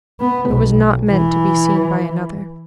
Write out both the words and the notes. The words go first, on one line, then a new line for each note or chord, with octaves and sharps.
It was not meant to be seen by another.
B3
B1
E3